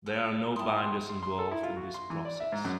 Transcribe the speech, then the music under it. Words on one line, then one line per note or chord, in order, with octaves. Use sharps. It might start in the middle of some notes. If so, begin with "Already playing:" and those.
There are no binders involved in this process.
A4
E4 G5 A5 C6 D#6
C6
C6
A4
E4
F4
F#4
C6
E3
D5
E5
G#2
F#2